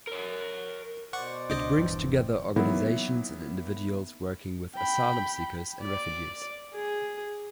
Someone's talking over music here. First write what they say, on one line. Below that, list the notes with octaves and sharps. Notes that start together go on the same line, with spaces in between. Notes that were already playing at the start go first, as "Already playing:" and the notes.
It brings together organisations and individuals working with asylum seekers and refugees.
A#4 C#5
B2 C5 D5 F#5 C#6
C#2 D4 D#5 D6 G6
D#1 G2 E3
C4
D#3 E3 F#3 A#3 B3 E4
G5 B5
D5
G#4